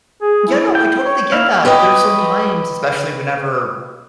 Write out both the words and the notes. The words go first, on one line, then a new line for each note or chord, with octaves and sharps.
Yeah, no. I totally get that. There's some times, especially whenever
G#4
E4
G5
C#5
A#3 E4 F5
G4 B4 C#5 D#5